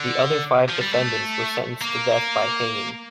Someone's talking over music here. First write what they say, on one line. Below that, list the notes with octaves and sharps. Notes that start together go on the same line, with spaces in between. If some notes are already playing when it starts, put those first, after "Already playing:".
The other five defendants were sentenced to death by hanging.
Already playing: D3
F3
G3
A3
A#3